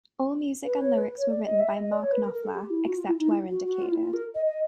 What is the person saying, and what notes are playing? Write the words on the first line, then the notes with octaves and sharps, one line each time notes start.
All music and lyrics were written by Mark Knopfler, except where indicated.
B4
C#5
B4
C#5
D5
D#5
E5
D#5
D5
C#5
B4
A#4
A#4
A4
G4
E4
F#4
F4
E4
D#4
E4
F#4
F#4
F4
E4
F4
A#4
D#5
D#5